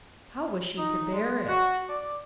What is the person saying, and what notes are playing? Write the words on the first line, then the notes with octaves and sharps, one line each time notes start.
How was she to bear it?
D#4
G#3
F#4
D5